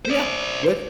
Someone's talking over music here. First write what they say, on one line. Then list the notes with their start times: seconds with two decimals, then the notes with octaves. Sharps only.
Oh yeah. Good.
0.05 C5 D5